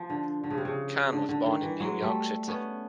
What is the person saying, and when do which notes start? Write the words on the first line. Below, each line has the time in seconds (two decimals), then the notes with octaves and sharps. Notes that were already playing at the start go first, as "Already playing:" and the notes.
Kahn was born in New York City.
Already playing: F3
0.10 D3
0.44 D3
0.50 C#3
0.58 C3
0.65 C#3
1.12 D3
1.29 D3
1.46 D#3
1.63 E3
1.80 F#3 G#3
2.02 G3 A3
2.48 B3 C#4